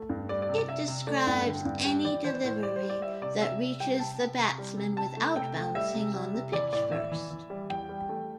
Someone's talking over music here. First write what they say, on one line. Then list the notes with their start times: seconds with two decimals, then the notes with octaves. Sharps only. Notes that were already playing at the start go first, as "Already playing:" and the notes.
It describes any delivery that reaches the batsman without bouncing on the pitch first.
Already playing: A3
0.09 G2
0.29 G3 D5
0.42 D5
0.49 C3
0.58 D5
0.68 C3 E5
0.88 C3
1.07 A3 D5
1.27 G2 G5
1.46 D3
1.65 G2
1.85 G3 G5
2.05 E3 D5
2.24 E3 C5
2.44 A2 C5
2.63 G3 D5
2.76 C5
2.83 G3
2.90 D5
3.02 G3 E5
3.22 C3 D5
3.41 C3 E5
3.61 C3
3.80 G3 G5
3.99 C3 A5
4.19 C3
4.39 C3
4.58 G3
4.77 C3
4.97 C3 A5
5.17 A3
5.36 C3 G5
5.56 A3
5.75 G3 E5
5.94 C3
6.14 G3
6.34 C3
6.53 E3 D5
6.73 A2 D5
6.91 E3 E5
7.12 E3
7.30 E3
7.50 G3
7.70 E2 G5
7.89 G3
8.09 A3